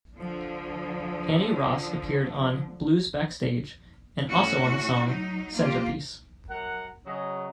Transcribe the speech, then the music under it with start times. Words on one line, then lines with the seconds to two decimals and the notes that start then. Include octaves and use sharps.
Annie Ross appeared on "Blues Backstage" and also on the song, "Centerpiece".
0.16 D3 F3
4.29 A2 C#4 F#4
5.07 F#3 D#4
5.54 A#3 F4 G4
6.50 F#2 A#4 F#5
7.06 C#3 F#3 D#5